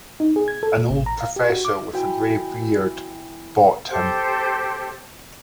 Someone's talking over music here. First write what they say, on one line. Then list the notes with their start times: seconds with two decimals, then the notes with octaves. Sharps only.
An old professor with a gray beard bought him.
0.20 D#4
0.36 G#4
0.48 G#6
0.63 A4
0.77 A#2
0.90 A1
1.06 A#5
1.21 F5
1.36 G4
1.50 F#4
1.65 D6
1.93 E3 F#4 G5
3.90 G4 A4 C5